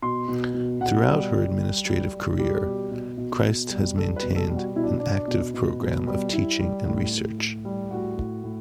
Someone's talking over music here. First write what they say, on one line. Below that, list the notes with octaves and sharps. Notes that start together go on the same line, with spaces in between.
Throughout her administrative career, Christ has maintained an active program of teaching and research.
B2 C6
B2
B2
B2 F#5
G3
G3
G3
G3
G3
G3 G4
B2
B2
B2
B2
G3
G3 A4
B4
B2
A4
G3
F#4
B2 E4
D4
B2 D4
B2
B2
B2
G3
G3 E4
G3
A2
A2
A2
G3
A2 F#4
A2
A2